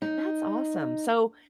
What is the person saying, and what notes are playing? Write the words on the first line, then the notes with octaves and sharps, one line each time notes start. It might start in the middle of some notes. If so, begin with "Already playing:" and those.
That's awesome. So,
D#4